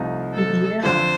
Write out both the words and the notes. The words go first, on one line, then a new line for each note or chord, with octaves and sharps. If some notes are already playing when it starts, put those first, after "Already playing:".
M yeah.
Already playing: C2 C3 F3 A3 D#4
A4
F2 D3 F3 C5